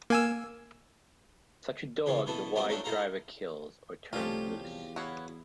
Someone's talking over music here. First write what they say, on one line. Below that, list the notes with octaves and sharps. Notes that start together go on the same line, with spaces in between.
Such a dog the wise driver kills, or turns loose.
A#3 G#5 E6
C#3 E3 C#4 F4
B2 E3 B3 E4 A4
G3 B3 C4 D#4 F4 F#4
F#3 A3 D4 D#4 A4
D#4 E4 A4 F5 A#5
C2 F3 A3 C#4 F4 G4 A5
E2
B3 E4 F#4 C#5 F5